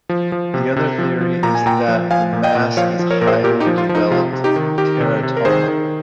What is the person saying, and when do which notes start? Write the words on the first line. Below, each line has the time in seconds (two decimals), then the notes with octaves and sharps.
The other theory is that the mass is a highly developed teratoma.
0.09 F3
0.32 F3
0.54 C3
0.76 C3
0.98 F3
1.21 F3
1.43 A#2 A#5
1.55 G#5
1.66 A#2 G5 A#5
1.88 F3
2.11 F3 F5 G#5
2.33 A#2
2.43 D#5 G5
2.55 A#2
2.77 F3 C#5 F5
2.99 F3
3.11 A#4 C#5
3.21 A#2 A#4
3.27 G#4 C5
3.44 A#2 G4 A#4
3.60 D#4 G4
3.67 F3
3.78 F4
3.89 F3
3.95 D#4
4.11 C3 F4
4.33 C3
4.44 D#4 G4
4.56 D#3
4.78 D#3 G4 A#4
5.01 C3
5.23 C3
5.37 A#4
5.45 D#3 G#4 C5
5.68 D#3